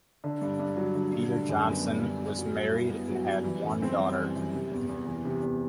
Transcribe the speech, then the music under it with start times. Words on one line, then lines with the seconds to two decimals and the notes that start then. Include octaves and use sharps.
Peter Johnson was married and had one daughter.
0.24 D3
0.42 G2
0.60 G2
0.77 F#3
0.95 D3
1.13 G2
1.31 D3
1.49 F#2
1.67 B3
1.84 G3
2.02 D3
2.20 F#2
2.38 F#3
2.57 G2
2.74 E4
2.91 B3
3.10 F#3
3.27 G2
3.45 E3
3.64 F#2
3.82 C4
4.00 G3
4.18 E3
4.36 F#2
4.53 C3
4.71 E2
4.89 E2
5.06 E3
5.25 C3
5.42 E2